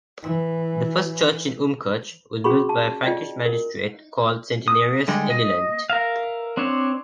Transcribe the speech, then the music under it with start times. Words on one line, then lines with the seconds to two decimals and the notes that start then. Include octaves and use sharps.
The first church in Umkirch was built by a Frankish magistrate, called Centenarius Elilant.
0.23 E3
2.44 C#4 F#4 G#4 B5 C#6
2.69 A5
3.03 F4 D5 D#5 G5
3.45 A#4
4.68 D#6
5.08 D3 G3 G#3
5.30 D#5
5.90 A#4 E5 F5
6.57 C4 D4 C5 C#5